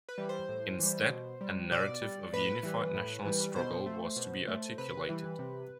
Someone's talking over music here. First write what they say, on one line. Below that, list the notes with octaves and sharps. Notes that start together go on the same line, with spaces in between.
Instead a narrative of unified national struggle was to be articulated.
B4
E3 G3
C5
A2
E3 G3
B2
G3
B2 D5
G3
A2 B4
E3 G3
A2
E3 G3
B2 C5
A3
B2
A3
C3 B4
E3 G3
C3